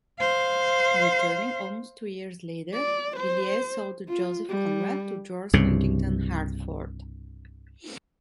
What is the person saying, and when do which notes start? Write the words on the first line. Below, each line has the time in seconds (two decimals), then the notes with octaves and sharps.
Returning almost two years later, Villiers sold the "Joseph Conrad" to George Huntington Hartford.
0.19 C5 F5
2.73 D5
3.16 C5
4.08 F4
4.49 G3
5.53 C2 G2 C#3